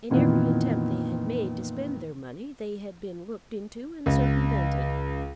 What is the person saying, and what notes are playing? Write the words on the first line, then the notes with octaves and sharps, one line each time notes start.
In every attempt they had made to spend their money they had been looked into and circumvented.
F2 A#2 D#3 E3 B3
C#2